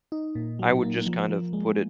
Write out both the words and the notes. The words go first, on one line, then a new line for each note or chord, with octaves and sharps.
I would just kind of put it
D#4
A#2
F#3
A#3
F3
F3
G#3